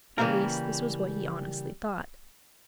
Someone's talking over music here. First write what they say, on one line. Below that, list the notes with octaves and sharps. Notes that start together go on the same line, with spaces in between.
At least, this was what he honestly thought.
C#3 E3 G3 A3 A#3 A#4